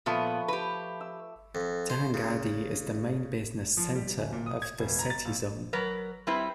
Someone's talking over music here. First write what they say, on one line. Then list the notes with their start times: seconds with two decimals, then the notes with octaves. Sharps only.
Dhangadhi is the main business centre of the Seti Zone.
0.06 A#2 F3 A3 B3 C#6
0.48 G4 B4
1.01 E6
1.55 F2
1.90 C5
2.14 C#3
3.77 F3
3.95 G3
4.18 D1
4.33 A#2
4.46 D#6
4.62 G#6
4.79 E1
4.99 A#5
5.10 A6
5.25 A#1
5.73 F#3 A#4 B4
6.27 G3 C4 E4 G4 B4